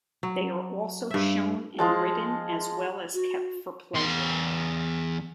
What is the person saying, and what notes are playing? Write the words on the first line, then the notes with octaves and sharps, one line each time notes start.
They are also shown and ridden, as well as kept for pleasure.
F#3
G2 E5
F3 G#3 A5
F#4
E2 C6